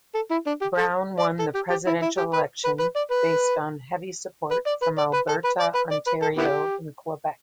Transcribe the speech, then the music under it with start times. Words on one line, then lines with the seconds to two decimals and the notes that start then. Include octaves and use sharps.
Brown won the presidential election based on heavy support from Alberta, Ontario and Quebec.
0.15 A4
0.31 E4
0.46 D4
0.61 G4
0.78 A4
1.19 D5
1.39 A4
1.55 G4
1.70 G4
1.87 E4
2.02 E4
2.17 G4
2.33 B4
2.64 B4
2.80 B4
2.96 D5
3.11 B4
4.51 B4
4.67 D5
4.82 B4
4.98 D5
5.13 B4
5.29 A4
5.44 B4
5.60 D5
5.75 B4
5.91 D5
6.07 B4
6.22 A4
6.38 B3 E4 G4